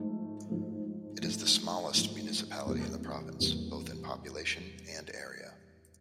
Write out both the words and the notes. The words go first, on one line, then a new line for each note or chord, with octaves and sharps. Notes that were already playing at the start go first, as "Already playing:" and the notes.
It is the smallest municipality in the province, both in population and area.
Already playing: G#2 F3 A3
G#2 F3 A3
G#2 F3 A3
G#2 F3 A3
E2 C3 E3 G3 A#3
E2 C3 E3 G3 A#3